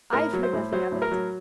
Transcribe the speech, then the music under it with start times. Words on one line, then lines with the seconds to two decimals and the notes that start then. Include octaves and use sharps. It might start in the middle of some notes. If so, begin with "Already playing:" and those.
"I've heard nothing of it."
0.13 A2 A#4
0.33 F#3
0.43 C5
0.53 A2
0.72 F#3 C5
0.92 A2
1.02 A#4
1.11 F#3